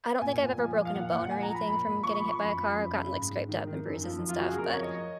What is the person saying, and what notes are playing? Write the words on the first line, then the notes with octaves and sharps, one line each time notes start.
I don’t think I’ve ever broken a bone or anything from getting hit by a car, I’ve gotten, like, scraped up and bruises and stuff. But,
A#2 G#5
A#2
F3
F3
F5
A#2 F#5
A#2 F#5
F3 G#5
A#5
F3
B5
A#2 B5
A#2
F3 C#6
B5
F3
C#6
F#2 B5
F3
F#2
C#3
G#2
G#2
D#3
D#3
F#2
F3
F#2
F4
C#3 F#4
G#4
F2 A#4
C#5
F3
D#5